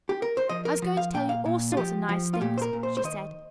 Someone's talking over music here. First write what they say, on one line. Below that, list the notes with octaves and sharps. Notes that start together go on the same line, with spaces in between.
"I was going to tell you all sorts of nice things," she said.
G4
A#4
C5
F3 D#5
A#4
F3
F5
A#2 G5
F5
A#2
F4
F3 G4
F3
F4
A#2 G4
C5
A#4
A#2
C5
C5
D#3 D#5